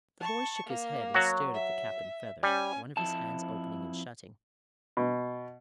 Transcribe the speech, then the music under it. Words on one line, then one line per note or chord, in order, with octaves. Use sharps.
The boy shook his head and stared at the cap and feather, one of his hands opening and shutting.
A5 C#6
A#3
F#3 F#4
E5
G3 C#4 G#5
F2 E4 A5
B2